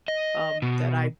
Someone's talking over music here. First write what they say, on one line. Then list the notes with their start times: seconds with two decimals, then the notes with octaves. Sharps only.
um, that I
0.08 D#5
0.62 B2